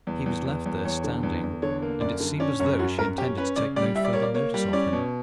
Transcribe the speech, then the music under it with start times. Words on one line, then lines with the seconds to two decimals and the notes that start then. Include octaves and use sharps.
He was left there standing, and it seemed as though she intended to take no further notice of him.
0.07 E2
0.26 E2
0.45 E2
0.66 E2
0.85 E2 C#5
1.04 D3
1.23 E2
1.43 E2
1.62 D3 C#5
1.82 A#3
2.01 F#2 D5
2.20 D3
2.40 C#4 D5
2.60 F#2 C#5
2.79 F#2 F#4
2.98 F#2 A#4
3.18 C#4 G4
3.37 C#4 B4
3.56 C#3 D5
3.76 G3 D5
3.95 G3 E5
4.05 D5
4.13 A#3 C#5
4.22 D5
4.34 A#3 C#5
4.54 G3
4.73 C#4 D5
4.93 B2